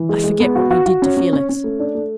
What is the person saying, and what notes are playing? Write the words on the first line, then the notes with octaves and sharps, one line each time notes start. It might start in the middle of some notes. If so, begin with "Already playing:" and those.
I forget what we did to Felix.
Already playing: E3
G#3
G#3
B3
F#4
F#4
F#4
C#4
C#4
C#4
C#4
A3
D4
A3